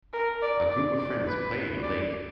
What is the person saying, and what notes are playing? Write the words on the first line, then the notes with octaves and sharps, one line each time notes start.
A group of friends play in a lake.
A#4
D5
D5
D5
B4
D5